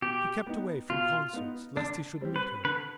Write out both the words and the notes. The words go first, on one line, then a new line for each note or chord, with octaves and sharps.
He kept away from concerts lest he should meet her.
B2 G4
B3 D#4
B2 F4
B3 D#4
D3 D4
G3 C4 G4
B4
D3 B4